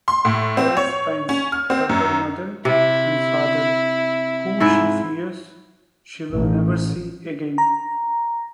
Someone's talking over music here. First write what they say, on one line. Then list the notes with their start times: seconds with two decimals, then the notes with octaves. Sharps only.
Alice pines for her Mother and Father, who she fears she'll never see again.
0.08 C6
0.25 A2
0.57 C4
0.77 C#5
1.29 C#4
1.52 F6
1.70 C4
1.89 F#2
2.65 C3 E4
4.60 G#2 E4 E5
6.34 A1
7.58 A#5